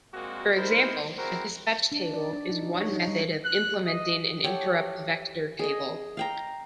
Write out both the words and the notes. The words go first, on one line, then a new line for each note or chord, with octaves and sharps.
For example, a dispatch table is one method of implementing an interrupt vector table.
A#2 G#3 A#3 C4 F#4
D#4 E4 A#4 C5
C4 E4 F#4 G#4 A#4 C5
D4
D5
D4
D#4
F#4
C#5
D#4
G3
F#6
D#5
G4 A4 C#5 F#5
G#4 D#5
F5 G5 A#5